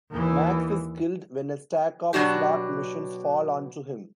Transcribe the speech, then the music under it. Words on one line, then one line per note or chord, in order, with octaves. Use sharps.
Max is killed when a stack of slot machines falls onto him.
D#2 E3
B2 F#3 D4 F#4 G4